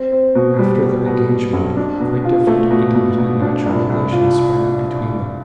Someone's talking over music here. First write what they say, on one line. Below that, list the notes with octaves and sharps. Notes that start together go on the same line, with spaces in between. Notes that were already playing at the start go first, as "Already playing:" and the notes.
After their engagement, quite different, intimate, and natural relations sprang up between them.
Already playing: C4
C4
B2
G3
B2
B2
B2
B1
D4
B2
F4
A3
B2
B2
B2
D4
C2
C2
F4